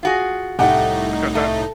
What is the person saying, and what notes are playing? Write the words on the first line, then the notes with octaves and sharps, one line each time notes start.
because that
F4 F#4 G#4
C2 A2 A3 D#4 G4 F#5
A3